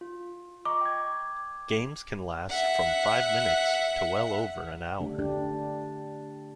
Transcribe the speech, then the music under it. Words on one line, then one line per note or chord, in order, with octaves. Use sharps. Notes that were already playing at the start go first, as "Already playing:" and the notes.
Games can last from five minutes to well over an hour.
F4
D#5 A#5 C#6 D6
G5 G#6
E5 F#5
D3 A3 D4 G4
D4 G4